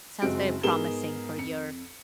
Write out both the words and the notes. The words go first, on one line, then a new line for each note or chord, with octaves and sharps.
sounds very promising for your
F#1 G#3 C4 F#4 D7
G#2 B3 G#4 A#4 E7 G7
F2 C#7